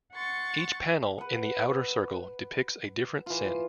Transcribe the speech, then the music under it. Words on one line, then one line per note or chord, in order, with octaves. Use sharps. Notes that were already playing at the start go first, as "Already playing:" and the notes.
Each panel in the outer circle depicts a different sin.
F#5 C6 C#6 A6
B4 F#5
E3 F4